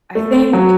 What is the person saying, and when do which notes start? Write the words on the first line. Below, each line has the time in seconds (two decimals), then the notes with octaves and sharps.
I think
0.15 A3
0.53 F#3